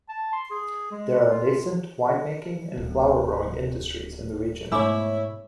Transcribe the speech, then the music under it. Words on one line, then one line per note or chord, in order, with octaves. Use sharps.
There are nascent wine-making and flower-growing industries in the region.
A5
C6
G#4
G#3
F4
D1
G#2 B2 A3 D4 E4 C#5 B5 D6